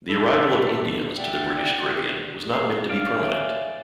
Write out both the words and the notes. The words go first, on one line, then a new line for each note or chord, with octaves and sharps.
The arrival of Indians to the British Caribbean was not meant to be permanent.
D4 E4 A4
D5 E5 F#5 G5
G#4 C7
C#4 D5 F5
C#5 E5 G#5